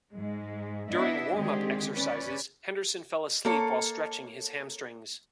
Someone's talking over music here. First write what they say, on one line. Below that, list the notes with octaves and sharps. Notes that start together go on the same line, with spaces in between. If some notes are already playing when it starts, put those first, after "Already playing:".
During warmup exercises Henderson fell asleep while stretching his hamstrings.
G#2 G#3
B3 D4 E4 D#5 E5
D3 D#3 G#3 C4 G4 G#4
C#4 B4 D5
A#3 A4 C#5